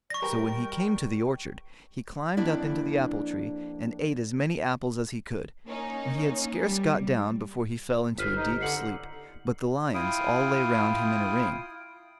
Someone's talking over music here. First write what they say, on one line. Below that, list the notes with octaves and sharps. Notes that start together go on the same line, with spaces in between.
So when he came to the orchard, he climbed up into the apple tree and ate as many apples as he could, and he had scarce got down before he fell into a deep sleep; but the lions all lay round him in a ring.
D5 C#6 A#6
G3 A#4 G5
F2 A#3 D4 E4 D5
A#3 C#4 D#4
G3
G1 B4 C5 F6 B6
D#4
D3 C7 C#7 F#7
E4 F4 G5 D#6